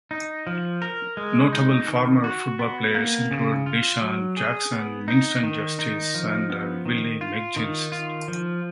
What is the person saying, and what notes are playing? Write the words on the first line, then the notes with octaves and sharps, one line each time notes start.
Notable former football players include DeSean Jackson, Winston Justice, and Willie McGinest.
D#4
F3
A#4
G#3
D#4
D#3
F#4
B3
A#3
C#3
F4
F#3
G#4
B3
D#4
D#3
D#4
F3
B3
D#3
F4
D#3
F4
F3